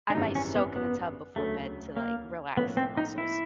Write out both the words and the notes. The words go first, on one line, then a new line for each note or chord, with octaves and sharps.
I might soak in the tub before bed to, like, relax the muscles.
D4
G#1 F#2 C#3 E3 G3 D#4
C#4
B3
B3
E1 D2 C#3 F#3 A3
A#3
B1 A2 F3 A#3 B3 C#4
C4
D#4
E4